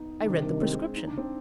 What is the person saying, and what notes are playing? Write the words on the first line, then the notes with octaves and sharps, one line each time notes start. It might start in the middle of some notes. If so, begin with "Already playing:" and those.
I read the prescription.
Already playing: B3 D#4
D#4
C2 C3 D#3 D4
C4
G#3
D#4
D4
C4